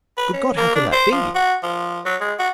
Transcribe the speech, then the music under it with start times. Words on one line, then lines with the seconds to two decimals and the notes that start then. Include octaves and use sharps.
Good God! how can that be?
0.17 B4
0.33 C#4
0.57 A#3
0.76 D4
0.93 C5
1.12 F3
1.35 F#4
1.63 F3
2.06 F#3
2.21 G#3
2.39 F#4